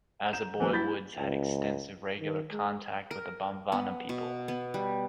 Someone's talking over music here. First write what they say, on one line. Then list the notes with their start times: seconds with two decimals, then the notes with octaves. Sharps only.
As a boy Woods had extensive regular contact with the Bomvana people.
0.33 A#5 G6 E7
0.60 E3 F#3 A#3 B4
0.73 E4 G6 A6 B6
1.19 C#2
2.20 D#3
2.52 G#3
3.11 A#4
3.72 B3
4.09 B2
4.48 B3
4.74 G3